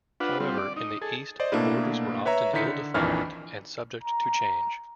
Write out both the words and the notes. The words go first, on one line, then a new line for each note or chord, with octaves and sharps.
However, in the east the borders were often ill-defined and subject to change.
D4 F4 B4 F#5
G3 C4 F4
D5
D#4
G#4 A4
C5 D5 D#5
B2 A3 A#3 D4 E4
B4 C#5 E5 A#5
D3 D#3 D#4 E4 B6 C#7
D3
A#1 F2 D#3 E3 D4 F6
A#5